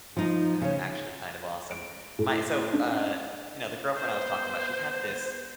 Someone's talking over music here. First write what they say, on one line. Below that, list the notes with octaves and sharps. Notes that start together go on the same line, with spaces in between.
That is that is actually kind of awesome. My so, uh, you know, the girlfriend I was talking about, she had this
F3 D#4
C#3 C#4
D7
A2
D4
B3 C5 G6